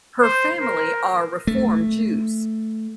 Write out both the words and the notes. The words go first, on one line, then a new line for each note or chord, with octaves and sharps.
Her family are Reform Jews.
C5
A#4
A3